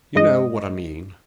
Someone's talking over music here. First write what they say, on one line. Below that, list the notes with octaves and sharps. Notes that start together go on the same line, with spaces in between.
You know what I mean.
G2 G#3 D#5